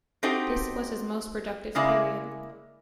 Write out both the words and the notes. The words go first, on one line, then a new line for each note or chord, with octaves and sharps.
This was his most productive period.
C4 D#4 F#4 G4 A4 C5
C#3 G#3 A#3 E4 D5